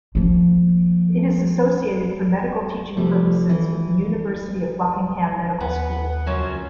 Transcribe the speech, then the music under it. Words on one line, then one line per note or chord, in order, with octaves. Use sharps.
It is associated for medical teaching purposes with the University of Buckingham medical school.
F3 A#3
C3 F3 G3 A3
E3 E4
D#2 B3 F#5
C#2 F#2 F3 F#3 C#4